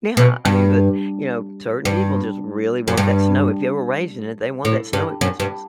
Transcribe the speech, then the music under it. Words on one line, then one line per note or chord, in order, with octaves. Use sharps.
Yeah, I mean, but, you know, certain people just really want that snow; if you were raised in it, they want that snow at Christmas,
B2
G2
G2
F#2
G2
A2
G2
F#2
G2